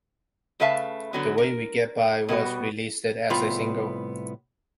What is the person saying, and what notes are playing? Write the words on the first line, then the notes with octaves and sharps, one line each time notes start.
"The Way We Get By" was released as a single.
C#3 A3 B4 E5 F5 A5
D3 F#3 B3
A#4
B2 G3 B3 F#4
C2 A2 B3 F4 B5